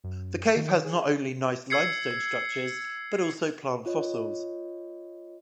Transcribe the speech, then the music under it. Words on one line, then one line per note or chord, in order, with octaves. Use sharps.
The cave has not only nice limestone structures, but also plant fossils.
F#2
D#3
G#4
E6 G#6 C7 C#7
F4 C#5 D#5